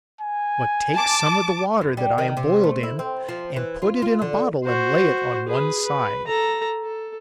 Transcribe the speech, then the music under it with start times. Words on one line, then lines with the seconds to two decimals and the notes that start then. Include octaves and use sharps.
But take some of the water that I am boiled in, and put it in a bottle and lay it on one side.
0.21 G#5
0.93 A5 D6
1.81 F#2
1.97 G3
2.18 D#3
2.37 C3
2.63 A3
2.83 E4
2.99 C4
3.29 F3
3.56 E3
3.82 F4
4.02 F4
4.22 D3
4.64 F#4 C5
5.48 G#4 B4
5.84 B4
6.27 A4 A#5
6.84 A4